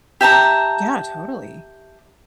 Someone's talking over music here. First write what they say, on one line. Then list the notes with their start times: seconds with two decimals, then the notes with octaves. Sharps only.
Yeah, totally.
0.21 G4 E5 A5 A#5